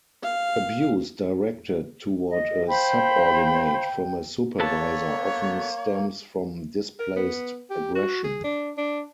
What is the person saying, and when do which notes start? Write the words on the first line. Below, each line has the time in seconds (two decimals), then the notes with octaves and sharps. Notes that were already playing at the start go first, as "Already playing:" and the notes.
Abuse directed toward a subordinate from a supervisor often stems from displaced aggression.
0.23 F5
2.29 D#5
2.69 C5 F5 G5 B5
4.60 A#3 B3 A4 C#5 A5
7.00 A#4
7.16 B3
7.70 G4
7.95 F#4
8.24 G#4
8.44 D4
8.78 D4